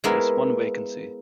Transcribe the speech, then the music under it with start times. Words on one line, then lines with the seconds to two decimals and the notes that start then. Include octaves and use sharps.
There is one vacancy.
0.04 G#3 A#3 B3 E4 A#4